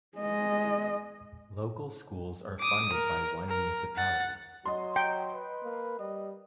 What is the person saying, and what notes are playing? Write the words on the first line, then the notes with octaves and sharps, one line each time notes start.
Local schools are funded by one municipality.
G#3 D#5
D6 D#6
A#4
A#4
F#5 A6
F#3 D#5 C6
G5 A#5
B4
A#3
G3 D#5